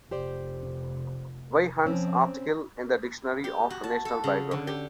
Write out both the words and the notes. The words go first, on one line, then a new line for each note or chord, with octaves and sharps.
W. Hunt's article in the "Dictionary of National Biography".
F1 G4 C5 D5
F3 C4 C#4
G4
F#4
A5
A4
C#3
D3
G4